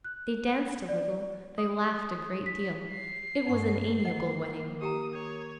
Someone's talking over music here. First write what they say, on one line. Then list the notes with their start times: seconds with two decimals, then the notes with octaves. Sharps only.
They danced a little, they laughed a great deal; it was an amiable wedding.
0.04 F#6
0.89 D5
1.58 D#6
2.46 B6
2.91 C7
3.46 G2 D#4 F#5 C#6
4.05 D#3 A#3 D#5 F#5
4.82 G4 G5 A#5 D#6
5.14 C#5